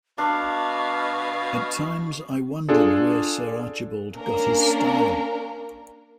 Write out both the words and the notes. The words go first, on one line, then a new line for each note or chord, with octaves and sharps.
At times I wondered where Sir Archibald got his style.
B2 D4 F5 C#6
D4 F4 G#4 A4
A#3 C#4 D4 A#4